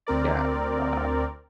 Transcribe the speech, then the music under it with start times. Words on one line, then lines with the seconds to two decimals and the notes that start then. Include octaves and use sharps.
Yeah, uh,
0.07 D2 C4 A#4 D5